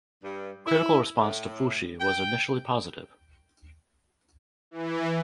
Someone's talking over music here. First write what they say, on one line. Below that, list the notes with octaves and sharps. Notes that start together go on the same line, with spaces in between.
Critical response to Fushi was initially positive.
G2
E4
A2
G5
E3